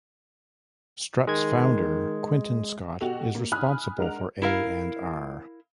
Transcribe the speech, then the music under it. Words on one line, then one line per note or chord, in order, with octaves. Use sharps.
Strut's founder, Quinton Scott, is responsible for A and R.
D#3 G#3 G#6
B2 F#4 G4 A4 F7
A#3
G#5 B5 D#6 F6 F#6
G#3 D4 A#4 F#5 F7
E4 A#4 F5